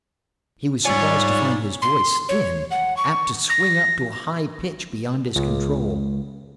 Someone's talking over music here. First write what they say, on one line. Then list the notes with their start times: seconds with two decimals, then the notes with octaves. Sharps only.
He was surprised to find his voice thin, apt to swing up to a high pitch beyond his control.
0.85 G#2 G3 D#4 F4 C#5 D5 G#5
1.82 C6
2.29 C#5
2.71 F#5
2.97 C#6
3.50 A#6
5.36 C#2